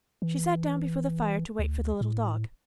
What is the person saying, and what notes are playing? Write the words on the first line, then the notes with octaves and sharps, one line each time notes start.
She sat down before the fire to wait for the little dog.
E3
D2
A2